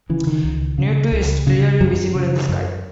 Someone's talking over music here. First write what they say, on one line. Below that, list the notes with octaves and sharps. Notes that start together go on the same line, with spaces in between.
Ne'tu is clearly visible in the sky.
C#3 E3
D#3
C#2
C#3
C#2
C#3
F#2 F#3
C#3
F#2